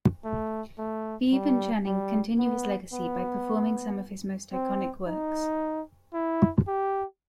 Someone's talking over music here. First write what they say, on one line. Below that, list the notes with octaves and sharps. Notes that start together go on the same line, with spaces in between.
Bibbe and Channing continue his legacy by performing some of his most iconic works.
A3
A3
G3
G3
B3
B3
C4
D#4
E4
G4